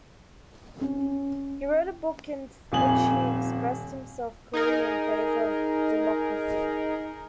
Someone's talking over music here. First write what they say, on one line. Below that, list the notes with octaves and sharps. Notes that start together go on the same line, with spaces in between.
He wrote a book in which he expressed himself clearly in favor of democracy.
C#4
D#1 F2 G#5 F#7
D#4 G#4 A#4